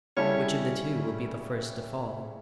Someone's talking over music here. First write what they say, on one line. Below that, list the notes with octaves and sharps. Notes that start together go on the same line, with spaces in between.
Which of the two will be the first to fall?
C#3 G3 C#4 E4 A4 C#5